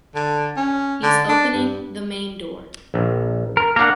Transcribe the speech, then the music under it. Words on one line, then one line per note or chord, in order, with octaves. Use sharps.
He’s opening the main door.
D3
C#4
D3
D4
G2
A#1
A#4
A#3 D4 A#4 F#5